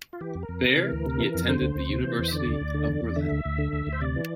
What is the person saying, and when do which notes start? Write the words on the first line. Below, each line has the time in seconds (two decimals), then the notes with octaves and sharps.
There, he attended the University of Berlin.
0.13 F4
0.21 E3 G4
0.35 F2
0.43 A#4
0.49 F2
0.64 C3
0.77 E3
0.92 D2
1.06 C3
1.20 E3
1.34 F2
1.48 D3 C5
1.61 D2
1.76 D2
1.89 C3
2.04 E3
2.19 E2
2.28 E5
2.32 D3 D5
2.46 D2
2.61 D2
2.74 D3
2.88 E2
3.02 E2
3.16 D3 E5
3.31 D2
3.45 D2
3.58 D3
3.73 D2
3.87 D2
3.93 C5
4.01 C3 D5
4.16 E3